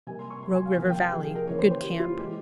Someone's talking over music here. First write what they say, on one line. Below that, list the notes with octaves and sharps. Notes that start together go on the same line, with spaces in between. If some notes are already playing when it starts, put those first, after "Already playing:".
Rogue River Valley.--Good camp.
C3 G3 A#3 G#5
C6
C#6
C6
G#5
F5
C3 F3 A#3 F5
G5
G5
G#4
G#4
A#4
C#3 E3 A#3 C#5
C5
C5
G4
F4
E3 G#3 G4